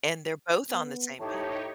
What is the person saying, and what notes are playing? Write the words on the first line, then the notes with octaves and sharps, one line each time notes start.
and they're both on the same pa
B3
A2 D#4 G4 C5 C#5 A5